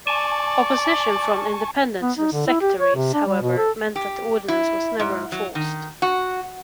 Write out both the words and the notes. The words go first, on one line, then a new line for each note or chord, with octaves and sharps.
Opposition from Independents and sectaries, however, meant that the ordinance was never enforced.
D5 G#5 A5 C#6
B3
D#4
D3
E4
G4
C#5
C3
D4
G3
B2
A4
G4
E4
G#2
F#3
D#3
F#4